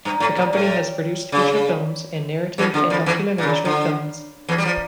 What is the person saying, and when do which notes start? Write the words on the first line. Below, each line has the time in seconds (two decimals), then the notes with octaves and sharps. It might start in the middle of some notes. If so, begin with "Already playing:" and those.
The company has produced feature films and narrative and documentary short films.
0.05 G2
0.20 A2
0.37 A#2
0.53 A2
1.32 C#3
2.58 E2 E3
2.74 D3
2.90 F2 F3
3.06 E2 E3
3.38 A#2
3.43 C#3
3.65 D3
4.48 E2 E3
4.58 G3
4.65 F3